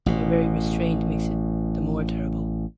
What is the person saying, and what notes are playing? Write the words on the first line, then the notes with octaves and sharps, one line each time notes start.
Their very restraint makes it the more terrible.
A1 B2